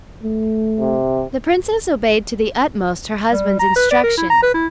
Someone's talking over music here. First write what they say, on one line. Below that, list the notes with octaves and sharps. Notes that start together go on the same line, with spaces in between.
The princess obeyed to the utmost her husband's instructions.
A3
C3
G3
A#5
B4
D5
A#4
E4
A#5
B4
E4